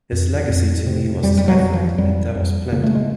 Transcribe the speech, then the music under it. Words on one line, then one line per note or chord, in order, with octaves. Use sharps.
His legacy to me was his effort, and that was plenty.
F2
F2
C3
F2 G3
G3
F#3
F2
F3
F2 G3
F2
C#3 A#3
A3
G#3